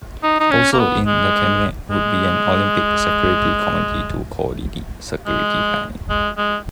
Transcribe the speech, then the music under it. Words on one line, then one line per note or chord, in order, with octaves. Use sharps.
Also in the Cabinet would be an Olympic Security Committee to co-ordinate security planning.
D#4
D#4
C#4
A#3
B3
G#3
G#3
G#3
G#3
G#3